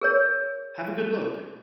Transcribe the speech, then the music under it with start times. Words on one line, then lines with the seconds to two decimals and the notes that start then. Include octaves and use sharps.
Have a good look.
0.01 G#4 A#4 C#5